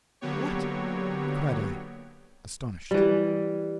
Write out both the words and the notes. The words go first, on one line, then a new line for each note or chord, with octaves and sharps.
"What?" cried I, astonished.
D3 F#3 A#3 B3 G4 C#5
E3 G3